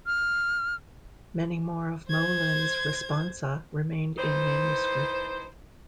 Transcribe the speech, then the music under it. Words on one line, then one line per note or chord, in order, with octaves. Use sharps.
Many more of Moelin's "responsa" remained in manuscript.
F6
C5 G#6
E3 D#4 C5